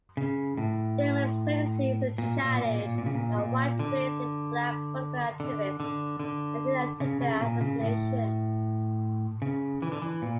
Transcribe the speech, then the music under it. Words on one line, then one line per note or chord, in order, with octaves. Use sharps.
Dilman's presidency is challenged by white racists, black political activists, and an attempted assassination.
C#3
A2
A#2
A#2
A#2
A#2
A#2
C#3
A#2
A#2
D3
D3
D3
D3
C#3
C#3
C#3
A#2
C#3
A2
C#3
E3
D3
E3
A#2